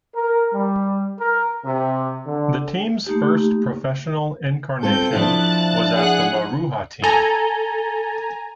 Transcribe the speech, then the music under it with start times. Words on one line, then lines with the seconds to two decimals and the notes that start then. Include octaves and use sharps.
The team's first professional incarnation was as the Maruha Team.
0.15 A#4
0.53 G3
1.19 A#4
1.65 C3
2.27 D3
3.07 A3 A#3 D#4 G4
4.83 C4 F4 A4 G6
5.13 F3 D4 E4 A5 F#6 A6
5.95 G#4 F#5 F#6
7.04 A4 G#5 A#5